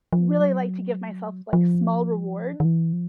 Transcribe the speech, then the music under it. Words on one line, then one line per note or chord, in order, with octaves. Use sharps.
really like to give myself, like, small rewards
F3
F#3
F3
D#3
E3
F3